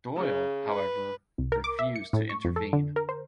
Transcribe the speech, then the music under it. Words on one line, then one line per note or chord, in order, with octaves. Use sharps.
Doyle, however, refused to intervene.
C#3
B4
C2
A#4
D6
E5
C#7
A2
C#6
F2
A4
D3
A#4
C5